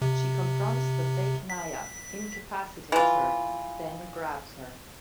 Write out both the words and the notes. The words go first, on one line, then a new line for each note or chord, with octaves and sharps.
She confronts the fake Naia, incapacitates her, then grabs her.
C3
B6
E3 F4